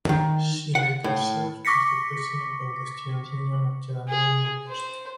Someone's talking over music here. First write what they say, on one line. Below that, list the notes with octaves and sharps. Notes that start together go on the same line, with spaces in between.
She later served as the President of the Student Union of Yadanabon University.
D#3
F#5
A2
C#6 D6 A#6 B6 C#7
G#4
C5